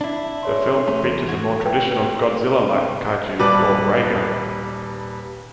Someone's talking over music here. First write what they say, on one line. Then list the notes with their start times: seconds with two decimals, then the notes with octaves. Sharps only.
The film features a more traditional Godzilla like kaiju called Raiga.
0.01 D4 E4
0.43 G#4 C#5 C6
0.88 A3 C#4
1.02 E2
1.29 F#4 G#6
1.65 B4 G5
3.39 D#1 G3 B4 A5 D6 F#6